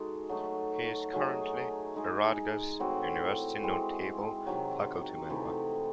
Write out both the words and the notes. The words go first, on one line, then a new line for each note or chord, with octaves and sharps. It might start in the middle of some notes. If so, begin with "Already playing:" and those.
He is currently a Rutgers University notable faculty member.
Already playing: G#3 D#4 F#4 A4
F#3 A3 D#4
F#3 A3 D#4 G#4
G#3 D#4 G#4
A2 E3 C4 F#4
E3 G#3 C4
C3 D#3 F#3
C3 E3 A3 D#4